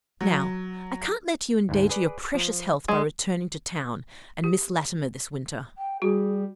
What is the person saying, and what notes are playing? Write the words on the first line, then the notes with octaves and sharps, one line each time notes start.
Now, I can't let you endanger your precious health by returning to town and Miss Latimer this winter.
F#3
D2 G#2
G#4 B4 D5
F3
G#3 G#5
G4
G5
G3 F#4 G#4